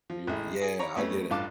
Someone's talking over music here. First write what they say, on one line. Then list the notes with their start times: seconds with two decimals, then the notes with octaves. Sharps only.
You yeah, I get it.
0.10 F3
0.27 A1 G#3 E4
0.61 G#4
0.79 C#5 A#5 B5
0.95 F2 A3 B3 C#4
1.30 A1 G2 F4 F5 A5 D6